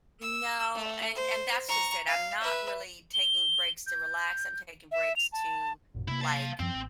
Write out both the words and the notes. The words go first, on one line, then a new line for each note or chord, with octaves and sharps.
No, and and that's just it. I'm not really taking breaks to relax, I'm taking breaks to, like
E6
A3
C5
A#5 C#6
F5
B4 E5
G7
G6
E5
F7
A5
A1 F#2 A#2
C3 A#3 E4
F5 A5
F#2 F3 C4
A1